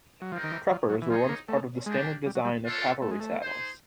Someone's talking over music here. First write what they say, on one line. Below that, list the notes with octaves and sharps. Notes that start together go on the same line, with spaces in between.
Cruppers were once part of the standard design of cavalry saddles.
F#3
F3 G3 C4 D#4 G4 A#4
D#3
E3
F3
F#3
E3
F3 C4 D#4 G#4 C#5
A#3
A3
G3 G#3 A#3 D4 G4
G3
F#3
G3
A3 D4 F4 A4 C#5
A3
G#3
A3
D#4 G#4 C5